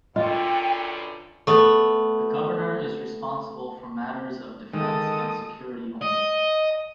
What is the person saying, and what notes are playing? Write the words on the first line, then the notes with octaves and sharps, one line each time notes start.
The Governor is responsible for matters of defence and security only.
F#2 B2 D3 F4 D#5 G5
A3 B3
D#3 G#3 A4 D#5 A5 D#6
D#5